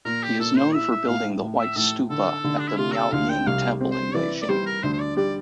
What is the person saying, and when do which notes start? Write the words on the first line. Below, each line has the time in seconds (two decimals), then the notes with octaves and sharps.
He is known for building the white stupa at the Miaoying Temple in Beijing.
0.05 A#2 A#4
0.23 G4
0.39 A#2 A4
0.57 C5
0.74 E4 E5
0.91 E5
1.08 A2 F5
1.42 A2
1.59 E5
1.76 A2 A4
2.10 D3 A4
2.44 D3
2.58 D4
2.68 E4
2.78 C3 F4
2.91 A#4
2.95 A4
3.12 D2 F5
3.29 G5
3.46 C2 F5
3.80 C4
3.91 C5
4.14 E3 D5
4.42 D5
4.49 G3 C5
4.66 A#4
4.83 D2 C5
4.93 C5
5.00 D5
5.16 G3 D5